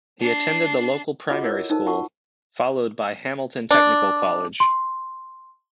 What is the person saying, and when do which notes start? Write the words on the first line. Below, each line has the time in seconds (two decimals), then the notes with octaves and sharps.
He attended the local primary school, followed by Hamilton Technical College.
0.20 D4 C7
1.30 F4 F#4 A4 D#5 F#5 D6
1.44 E4 A#4 C#5
1.70 D#4 A4 A#4 C5 A5
1.86 F4 F#4 F#5 A5 C#6
3.71 D4
4.60 C6